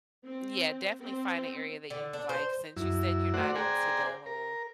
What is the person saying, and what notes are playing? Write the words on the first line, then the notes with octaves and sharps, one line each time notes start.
Yeah, definitely find a area that you'd like since you said you're not into the whole,
C4
C4
D3
D4
C5
F#2 E4
A3 F#4 C5 D5 F#5
G#4 C5 D5 G5 G#5 A#5
A#4